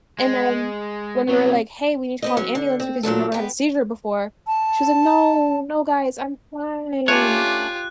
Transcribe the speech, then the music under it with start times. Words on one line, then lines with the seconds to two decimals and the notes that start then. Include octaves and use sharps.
and then when we were like, "Hey, we need to call an ambulance because you've never had a seizure before." She was like, "No, no, guys, I'm fine,
0.19 G#3
1.29 C2 F#3 C4 C#5
2.22 B3 C4 D#5
2.37 F#3 C#4
2.55 D3
2.80 C4
3.03 A#2 F#3 D4 A4
3.32 B3 G4
4.47 A5
7.08 A3 C#4 D4 F4 G4 C#5 F#6